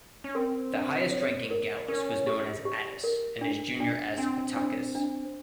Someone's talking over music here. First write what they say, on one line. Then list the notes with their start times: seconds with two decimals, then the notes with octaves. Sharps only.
The highest ranking Gallus was known as "Attis", and his junior as "Battakes".
0.24 C#4
0.35 C4 A#4
0.74 D4
1.11 C#5
1.50 A#4
1.88 C#4 A#4
2.27 G4
2.65 G4
3.04 A#4
3.41 D4
3.80 D4
4.18 C4 D4
4.56 D4
4.95 D4